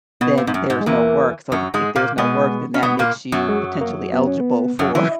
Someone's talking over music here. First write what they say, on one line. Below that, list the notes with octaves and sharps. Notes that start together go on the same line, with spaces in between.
then there's no work, so th if there's no work, then that makes you potentially eligible for
B2 B3
A#2
G#2
F#2
G#2
G#3
E2 E3 A#3
F#2 F#3
G#2 G#3
A#2 A#3
B2 G#3 B3
C#4
B2 B3
A#2 A#3
F#2 F#3
G#3
A#3
B3
C#4
B3
F#2 F#3
E3